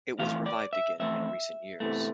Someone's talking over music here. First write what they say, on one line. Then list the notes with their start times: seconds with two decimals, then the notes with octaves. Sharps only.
It was revived again in recent years.
0.19 F2 E3 A3 F5
0.46 D5
0.73 E5
1.00 F2 E3 A3 E5
1.80 E2 C3 E3 A3